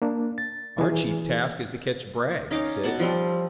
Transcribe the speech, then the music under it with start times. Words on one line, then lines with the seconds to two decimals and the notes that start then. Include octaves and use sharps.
"Our chief task is to catch Bragg," he said.
0.02 A#3 D4
0.38 A6
0.78 E3 G#4
2.51 C#4 D#4 F5 D6
2.84 B2 F#5 A5 D6
3.00 F3 G3 C4